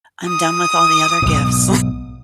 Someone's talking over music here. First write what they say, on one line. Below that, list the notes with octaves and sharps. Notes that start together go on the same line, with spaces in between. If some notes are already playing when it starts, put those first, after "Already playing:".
I'm done with all the other gifts."
D#6
B1 G#2